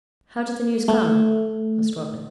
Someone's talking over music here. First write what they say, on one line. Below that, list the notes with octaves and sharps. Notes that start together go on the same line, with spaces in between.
"How did the news come?" asked Robin.
A3